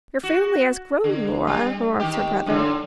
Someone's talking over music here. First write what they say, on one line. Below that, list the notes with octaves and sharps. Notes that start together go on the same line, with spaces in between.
"Your family has grown, Lora," remarked her brother.
F#4
D3
G3
D#3 G4
F#2 A2 D3